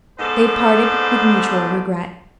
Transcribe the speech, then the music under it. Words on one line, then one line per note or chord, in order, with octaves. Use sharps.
They parted with mutual regret.
G#2 B3 A4 C5 D5